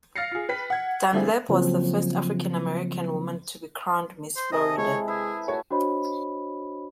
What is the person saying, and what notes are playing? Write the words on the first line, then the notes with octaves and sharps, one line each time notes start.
Dunlap was the first African American woman to be crowned Miss Florida.
F5 F6 A6 A#6 C7 C#7
F4 G#4
B4 G5 B6
F#5 G#6
D3 F3 A3 C4 E4 G#4
C#3 F3 F#3 A#3 C4
C5
C3 G#4 A4 D#5
G#3 E4 C#5
E4 G#4 B4 E5
A3 F#4 C#5
D4 F#4 C5 C#5 D#5 B5